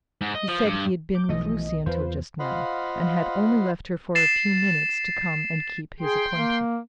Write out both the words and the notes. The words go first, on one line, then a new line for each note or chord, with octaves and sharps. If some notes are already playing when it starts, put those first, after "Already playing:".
He said he had been with Lucie until just now, and had only left her for a few minutes, to come and keep his appointment.
G#2
D#5
F3
G2
D6 G6
B1 E3 F3 A3 D#5
E2 F4 B4 C5
F4 C5 D#5 F5 F#5 B5
A6 C7 E7
G#4 G5 C6
A#3